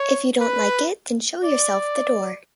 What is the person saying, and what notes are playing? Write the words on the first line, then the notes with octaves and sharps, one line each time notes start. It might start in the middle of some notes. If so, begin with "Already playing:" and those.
If you don't like it, then show yourself the door.
Already playing: C#5
B4
D5